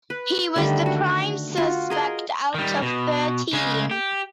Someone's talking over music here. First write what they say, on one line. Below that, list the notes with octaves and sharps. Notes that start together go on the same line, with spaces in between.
He was the prime suspect out of thirteen.
B4
D3 D#3 G3 A3
F#4
F4 F#4
G#4 A#4 D#5
D#3 G3
B2
C#3 G#3
G4